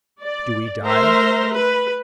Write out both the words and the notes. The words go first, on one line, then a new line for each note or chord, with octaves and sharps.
Do we die?
D5
A3 A#4 C5 E5 A#5 C6
B4